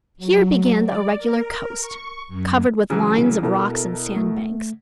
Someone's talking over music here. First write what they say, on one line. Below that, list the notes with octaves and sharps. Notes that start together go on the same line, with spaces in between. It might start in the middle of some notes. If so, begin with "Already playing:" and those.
Here began the irregular coast, covered with lines of rocks and sandbanks.
F#3
D5
A#4
C#6
F#2
C#3 E3 F#3
C2
B2 E4 A4 A#4
A3